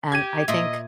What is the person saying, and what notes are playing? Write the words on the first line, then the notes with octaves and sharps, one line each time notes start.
and I think
G4 G#6 D#7
A#2 A#3 D#5 E5